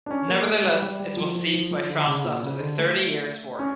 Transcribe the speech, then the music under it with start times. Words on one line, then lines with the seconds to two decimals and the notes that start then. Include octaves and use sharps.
Nevertheless, it was seized by France after the Thirty Years' War.
0.06 D4
0.11 C#4
0.28 A#3
0.46 A3
0.64 G3
0.82 G3
0.99 G3
1.17 F3
1.35 F3
1.54 F3
1.71 F3
1.89 D3
2.07 C#3
2.25 A#2
2.43 C#3
2.60 D3
2.78 A3
3.59 C#4